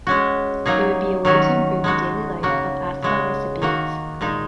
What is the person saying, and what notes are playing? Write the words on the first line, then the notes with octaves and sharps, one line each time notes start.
It would be a way to improve the daily life of ASPA recipients.
G#3 C#4 F#4
F#3 A#3 D#4 G#4
D#3 F#3 C#4 F#4
G#3 D#4 F#4
C#3 A#3 F#4
C#3 G#3 F#4
D#3 A#3 F#4
A#2 G#3 D#4